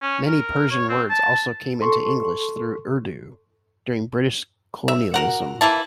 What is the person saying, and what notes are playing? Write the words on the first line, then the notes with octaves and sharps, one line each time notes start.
Many Persian words also came into English through Urdu during British colonialism.
C#4
A#4
C#5
C4
A5
A4 C6 C#6
E5
F#4 A#4 F#5
E3 A#3 E4 A5